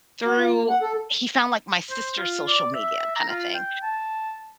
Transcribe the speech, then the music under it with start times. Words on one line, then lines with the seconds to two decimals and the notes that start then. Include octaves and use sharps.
through, he found like my sister's social media kinda thing.
0.25 F#4
0.38 F4
0.53 A#3
0.69 F#5
0.82 A4
1.90 C5
2.18 F4
2.47 D5
2.74 E5
3.16 A#5
3.29 F4
3.55 G5
3.83 A5